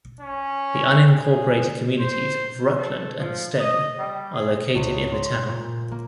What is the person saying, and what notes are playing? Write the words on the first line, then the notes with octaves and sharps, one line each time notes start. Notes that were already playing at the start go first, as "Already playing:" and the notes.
The unincorporated communities of Rutland and Stone are located in the town.
C#4
G#4
C5
A4
F3
D#5
G3
G#4
C#2
C6
C6
A#2
G6
A#3